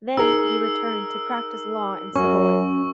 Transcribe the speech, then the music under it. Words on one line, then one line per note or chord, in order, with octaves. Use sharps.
Then he returned to practice law in Savoy.
D#4 G#4 A#4 E6
F#2 C#4 C#6